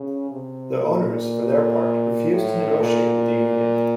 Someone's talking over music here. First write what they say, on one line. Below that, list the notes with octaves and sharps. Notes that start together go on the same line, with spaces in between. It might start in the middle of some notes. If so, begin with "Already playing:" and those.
The owners, for their part, refused to negotiate with the union.
Already playing: C#3
C3
A#2
A2
A#2